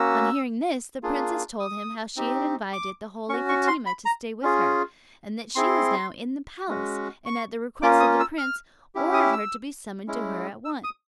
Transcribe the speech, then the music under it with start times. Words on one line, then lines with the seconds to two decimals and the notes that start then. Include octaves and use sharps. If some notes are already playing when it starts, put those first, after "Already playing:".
On hearing this, the princess told him how she had invited the holy Fatima to stay with her, and that she was now in the palace; and at the request of the prince, ordered her to be summoned to her at once.
Already playing: A#3 C#4 F#4 E6
1.03 A#3 D4 F4 G#4
1.60 D#6
2.16 C4 D#4 G4
2.73 D6
3.29 C#4 C#6
3.33 F#4
3.49 C#6
3.68 C6
3.86 B5
4.05 A#5
4.42 C#4 F4 G#4
5.55 C4 E4 G#4 C6
6.69 G#3 C#4 F#4
7.26 C#6
7.82 A#3 C#4 F4 D6
8.00 D#6
8.20 E6
8.38 F6
8.95 C#4 E4 G4
9.14 D#6
9.33 E6
10.08 G#3 C#4 E4
10.65 E6
10.84 D#6